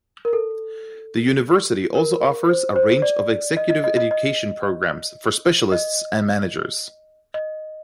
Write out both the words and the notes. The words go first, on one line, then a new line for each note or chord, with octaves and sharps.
The University also offers a range of executive education programmes for specialists and managers.
A#4
A4
A#4
C5
C5
D5
D#5
D#5
D#5
D#5
D#5
D#5
D#5